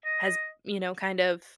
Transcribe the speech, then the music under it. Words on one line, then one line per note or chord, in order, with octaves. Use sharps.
has, you know, kind of
D#5